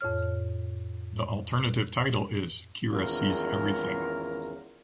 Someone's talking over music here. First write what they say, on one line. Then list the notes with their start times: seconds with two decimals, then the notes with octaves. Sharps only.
The alternative title is “Kira sees everything”.
0.01 F2 A2 C#5 F6
2.93 G#1 E2 C#4 F4 A#4